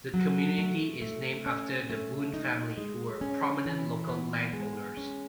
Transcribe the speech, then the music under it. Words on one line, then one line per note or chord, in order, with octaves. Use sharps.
The community is named after the Boone family, who were prominent local landowners.
F#3
A3
A3
C#4
A3
D#4
G#3
C#4
E3
B3
G#3
C#4